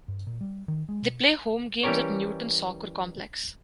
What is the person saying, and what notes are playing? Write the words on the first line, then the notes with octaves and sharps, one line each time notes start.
They play home games at Newton Soccer Complex.
G2
A#2
G3
D#3
G#3
B2
E3 G3 C#4 G4 A#4 C#5